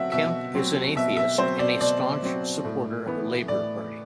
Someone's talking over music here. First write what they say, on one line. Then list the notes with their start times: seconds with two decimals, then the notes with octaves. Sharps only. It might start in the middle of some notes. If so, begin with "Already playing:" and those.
Kemp is an atheist and a staunch supporter of the Labour Party.
Already playing: B2 F#3 C4 E5 F#5
0.12 B2 E5
0.54 F#3 C4
0.96 B2 E5
1.17 E5
1.38 F#3 C4 C5
1.59 D5
1.81 B2 D5
2.22 F#3 C4
2.65 A2
3.06 E3 B3
3.48 A2 D5